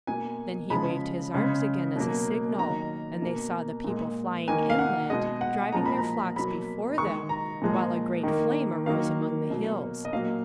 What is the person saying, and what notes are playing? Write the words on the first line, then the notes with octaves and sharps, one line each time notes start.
Then he waved his arms again as a signal, and they saw the people flying inland, driving their flocks before them, while a great flame arose among the hills.
B2 A#3 G#5
C#3 F3 G#3 B5
C#3 G#3
B2 F#3 A#3
D#3 F#3 A#3 A#5
B2 A#3
A#2 G#3
D#3 A#3 G#5
F5
F#5
B2 G#3 D#5
F#5
A#2 F3 G#3 A#5
B5
A#5
B2 F#3 A#3 B5
D#3 G#3 C#6
A#5
A#2 F3 G#3
D#3 A#3
D#3 F#3 A#3 F5
B2 F#3 A#3
D#5
A#2 F#3 A#3 F5